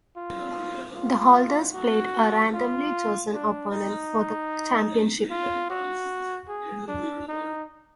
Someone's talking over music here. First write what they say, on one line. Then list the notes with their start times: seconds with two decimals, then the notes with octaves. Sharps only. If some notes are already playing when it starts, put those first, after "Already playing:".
The holders played a randomly chosen opponent for the championship.
0.16 F4
0.95 F4
1.74 F#4
2.54 F4
3.33 D4
3.72 D#4
5.30 F4
5.70 F#4
6.48 G#4
6.88 D4
7.28 D#4